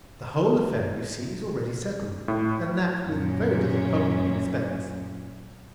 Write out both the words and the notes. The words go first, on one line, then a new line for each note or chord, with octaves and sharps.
The whole affair, you see, is already settled, and that with very little trouble or expense.
A2
F#2 A#2 C#4